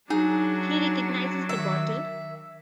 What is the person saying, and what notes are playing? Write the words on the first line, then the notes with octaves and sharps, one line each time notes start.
He recognises the bottle.
F#3 D4 D#4 G#4
D#3 E5